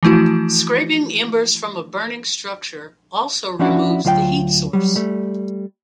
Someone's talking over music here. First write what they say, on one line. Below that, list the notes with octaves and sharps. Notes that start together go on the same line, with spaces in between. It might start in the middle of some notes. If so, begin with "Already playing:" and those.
Scraping embers from a burning structure also removes the heat source.
E3 F3 A3 E4 F#4
F3 C#4 D4 E4 F#4
D2 F#3 F4 D#5 G5
F#3 G3
G3 A3